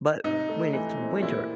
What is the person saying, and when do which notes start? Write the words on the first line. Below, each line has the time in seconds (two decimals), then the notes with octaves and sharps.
but, when it's winter,
0.24 C3 D#4
0.49 A3
0.73 E3
0.98 C4
1.22 A#2 E4